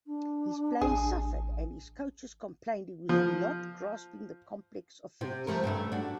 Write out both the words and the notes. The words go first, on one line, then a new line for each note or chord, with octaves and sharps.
His play suffered and his coaches complained he was not grasping the complex offense.
D4
A1 G#4
F3
C3
F3 A3 A#4
G2 C#3 A3
D4 F#4